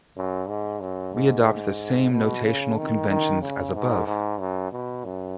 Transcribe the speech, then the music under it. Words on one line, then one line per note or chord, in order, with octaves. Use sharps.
We adopt the same notational conventions as above.
F#2
G#2
F#2
G#2
B2
C#3
D#3
D#3
C#3
G#2
G#2
F#2
B2
F#2